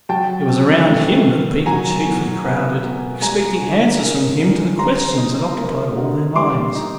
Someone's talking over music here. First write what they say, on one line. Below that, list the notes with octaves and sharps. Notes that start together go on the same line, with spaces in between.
It was around him that the people chiefly crowded, expecting answers from him to the questions that occupied all their minds.
F#3 G5 A5
C4
A3
D#3
F#3 G#5 A#5
B2
B3
B2
G3 G#5 A#5
D3
A#3
D3
G3 A#5 C6
D#4
A#3
D3
G3 C6 D6
D#4